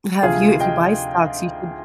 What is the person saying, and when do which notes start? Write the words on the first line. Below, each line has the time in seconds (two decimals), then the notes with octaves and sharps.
Have you if you buy stocks, you should
0.23 D2 C3 F3 F4 G#4
0.60 D#5 G5